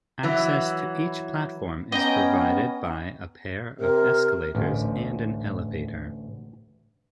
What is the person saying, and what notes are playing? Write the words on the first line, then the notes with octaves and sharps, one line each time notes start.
Access to each platform is provided by a pair of escalators and an elevator.
E3 F#3
B3 C#4 D#5 G5 A#5
C3 A#4
A1 D2